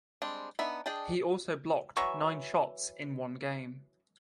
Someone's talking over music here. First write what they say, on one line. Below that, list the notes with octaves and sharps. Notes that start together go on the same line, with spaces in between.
He also blocked nine shots in one game.
G3 G#3 C4 D4
B3 D4 D#4 E5 B5
D4 G#4 D#5 G5 A5
E3 F#3 E5 C#6